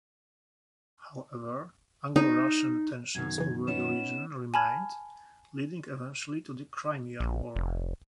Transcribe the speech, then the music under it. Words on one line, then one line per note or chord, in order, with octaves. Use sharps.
However, Anglo-Russian tensions over the region remained, leading eventually to the Crimean War.
D#4
F#2 B2 D#3 G#6
C#3 E3
B3 C#4 D#4 E7
G#5 A5 B5 F6 G#6
A#1
F1